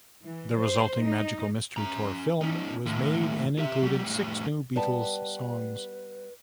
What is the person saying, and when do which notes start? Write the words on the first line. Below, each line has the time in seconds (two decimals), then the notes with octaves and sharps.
The resulting "Magical Mystery Tour" film was made and included six new Beatles songs.
0.23 E3
0.56 C5
1.03 D#4
1.77 C#4 A#5
2.41 C#4 D#4
2.86 D#2 A2
3.59 G4 E5
3.82 F#3 G4
4.04 A2 G3
4.76 G3 B3 B4 A5